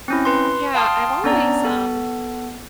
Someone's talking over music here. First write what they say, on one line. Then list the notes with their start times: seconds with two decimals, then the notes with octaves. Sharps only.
Yeah, I've always, um
0.08 C4 C#4 E4
0.25 B4 C6
0.74 F5 G5 A5 C6 D#6 F6
1.24 B3 C#4 D4 D5 A#5
1.64 B3 A4